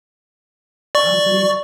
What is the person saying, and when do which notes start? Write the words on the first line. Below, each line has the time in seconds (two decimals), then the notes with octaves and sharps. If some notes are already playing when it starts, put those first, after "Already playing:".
How does that
0.95 D5 C#6